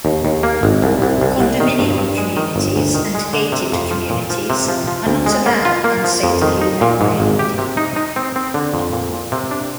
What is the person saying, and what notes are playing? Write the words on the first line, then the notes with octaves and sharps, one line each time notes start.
Condominium communities and gated communities are not allowed on Saint Helena Island.
D#2
D#2
A#3
G#1
C2
C2
C2
C2
D#3
G2
G2
G#3
D#3
G1
D2
D#3
G#3
D3
C3
F2
F3
A#2
F3
C3
F3
F3
D2
G#3
A#3
F4
A#3
F3
F2
D#3
D#4
A#2
G#2
G#1
G4
C3
D#4
D#4
C4
C4
D3
F2
A#2
A#2
C3
D4